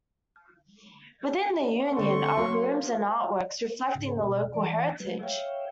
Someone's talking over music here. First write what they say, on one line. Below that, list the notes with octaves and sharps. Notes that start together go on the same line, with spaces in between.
Within the Union are rooms and artworks reflecting the local heritage.
D3 A3 C4 C6 C#6
F#3 C#4
G#2 C#3
B2
E3 D5
F#3 G#3 A3 B4
C#5 E5 F5 G5